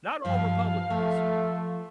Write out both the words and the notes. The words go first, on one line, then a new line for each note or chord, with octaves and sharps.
not all Republicans,
G2 F3 F5
F3 A3